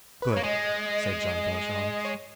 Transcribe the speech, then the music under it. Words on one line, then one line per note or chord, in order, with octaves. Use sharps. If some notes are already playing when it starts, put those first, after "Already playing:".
"Good," said Jean Valjean.
B4
A#3 C#5
G#3 D#5
D#5
C#5